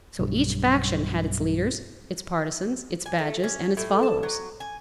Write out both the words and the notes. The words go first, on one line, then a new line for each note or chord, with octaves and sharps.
So each faction had its leaders, its partisans, its badges, and its followers.
B1 G2
G#5
A3
C#4
A2
A5
F#3
G#5